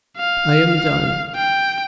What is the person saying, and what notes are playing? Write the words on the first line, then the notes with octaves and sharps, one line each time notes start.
I am done.
F5
G5